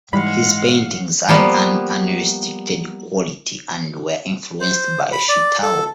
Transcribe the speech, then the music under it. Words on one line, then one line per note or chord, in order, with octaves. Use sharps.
His paintings had an unrestricted quality and were influenced by Shitao.
G#2 E3 G3 G#3 F5 F#5 B5
F3 G3 A#3 B3
C5
B5
D5
A4